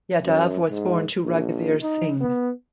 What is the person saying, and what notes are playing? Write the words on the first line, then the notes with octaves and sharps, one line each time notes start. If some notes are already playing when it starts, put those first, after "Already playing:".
Yadav was born to Raghuveer Singh.
F#2
G#2
A#1
D#4
B3